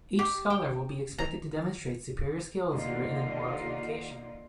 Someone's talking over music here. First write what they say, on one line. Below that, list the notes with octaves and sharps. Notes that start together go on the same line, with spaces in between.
Each scholar will be expected to demonstrate superior skills in written and oral communication.
G4
G5
A#5
D#2 D3 D#4 F4 D5